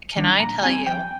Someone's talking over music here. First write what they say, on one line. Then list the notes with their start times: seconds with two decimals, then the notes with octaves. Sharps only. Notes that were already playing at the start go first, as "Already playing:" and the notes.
can I tell you?
0.16 D#3 G3 D4
0.40 A#2 A#5
0.63 G3 C4 G#5
0.86 F2 G5